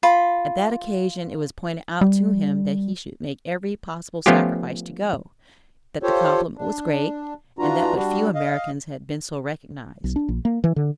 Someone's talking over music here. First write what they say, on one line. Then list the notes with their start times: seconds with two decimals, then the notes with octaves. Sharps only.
At that occasion it was pointed out to him that he should make every possible sacrifice to go, that the compliment was great, and that but few Americans had been so recognized.
0.03 F4 B5
2.01 G3
4.26 F3 A3 B3 C#4 F4 G4
6.03 F4 G4 A4 C5 C#5
6.57 D4
7.59 E3 D4 F4 F#4 A#5
7.95 G3 D4 F#4
8.35 D#5 F5
10.04 B1
10.16 D4
10.28 A#1
10.45 A#3
10.64 E3
10.76 D3